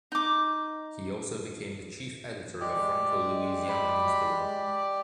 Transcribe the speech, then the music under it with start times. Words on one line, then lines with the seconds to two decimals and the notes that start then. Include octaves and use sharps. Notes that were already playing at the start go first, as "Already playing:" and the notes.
He also became the chief editor of a Franco-Louisiana newspaper.
0.12 D#4 D6
2.61 G#3 G4 D5
3.69 B5